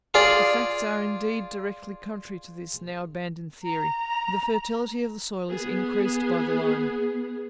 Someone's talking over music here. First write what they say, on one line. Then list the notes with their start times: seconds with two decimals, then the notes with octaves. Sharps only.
The facts are indeed directly contrary to this now abandoned theory: the fertility of the soil is increased by the lime.
0.14 F4 G#4 D5
3.63 A#5
5.50 B3 G#4